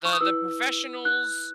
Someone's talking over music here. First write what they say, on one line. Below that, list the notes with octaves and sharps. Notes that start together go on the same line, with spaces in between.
The the professionals,
C#6
D#6
E4 B4 E6
F#6